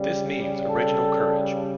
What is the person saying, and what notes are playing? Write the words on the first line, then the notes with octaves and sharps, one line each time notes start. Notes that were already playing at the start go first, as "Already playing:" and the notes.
This means original courage.
Already playing: C#3 G3
A4